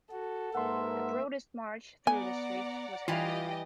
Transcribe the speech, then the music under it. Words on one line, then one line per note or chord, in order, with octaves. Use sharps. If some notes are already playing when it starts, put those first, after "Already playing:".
A protest march through the streets was held.
F#4 A4
G#2 A#3 A#4 B4 E5 F#5 C6
B3 D5 F#5 G#5 A#5
E3 G3 F4 G4 D#5 F5